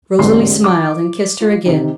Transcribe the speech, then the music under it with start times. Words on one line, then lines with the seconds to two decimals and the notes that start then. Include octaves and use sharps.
Rosalie smiled and kissed her again.
0.19 A1 E2 G#2 D3 B4 C6
0.64 D6
1.41 F4
1.66 C3 D#3